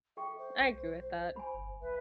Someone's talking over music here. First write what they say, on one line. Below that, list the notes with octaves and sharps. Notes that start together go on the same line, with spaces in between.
I agree with that.
A4 E5 G5 C#6
C5
B1
G#5 B5
G1
B1 B4 E5